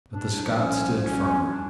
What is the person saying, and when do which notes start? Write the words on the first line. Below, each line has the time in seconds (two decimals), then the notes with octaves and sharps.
But the Scots stood firm.
0.13 C2 D4
0.42 F3 D#4
0.50 D4
0.58 C#4
0.73 C2
1.03 C2 C#4
1.34 C2
1.49 D4